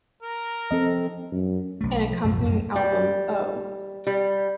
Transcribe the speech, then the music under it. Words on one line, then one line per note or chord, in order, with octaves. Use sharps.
An accompanying album, Oh!
A#4
F3 C4 A4 D#5
F#2
B1 A3
F3
B1 F#2 A2 F3
F#2 A#3
G3
G3